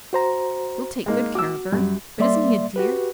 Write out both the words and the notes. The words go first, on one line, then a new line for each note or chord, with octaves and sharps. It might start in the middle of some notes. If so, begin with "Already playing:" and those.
We'll take good care of her. But isn't he a dear?
F#4 C5 A#5
G#3 A#3 D#4
F#4 D6 E6
F#2 G3
G3 A#3 D5 E5 C6
F#4 G4 B4